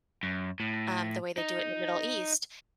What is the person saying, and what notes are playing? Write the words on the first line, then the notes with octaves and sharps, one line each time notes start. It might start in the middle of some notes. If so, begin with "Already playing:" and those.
Um, the way they do it in the Middle East,
F#2
A2
D#4